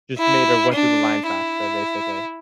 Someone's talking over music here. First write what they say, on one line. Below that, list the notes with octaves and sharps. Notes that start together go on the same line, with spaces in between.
just made her went through the line faster, basically.
E4
D4
E4